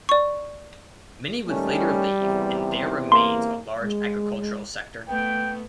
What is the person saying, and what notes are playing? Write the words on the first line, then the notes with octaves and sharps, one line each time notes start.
Many would later leave, and there remains a large agricultural sector.
D5 C#6
D#3 G3 A3 C#4
E2 C3
A#3 C6
G#3
A3 B3 G5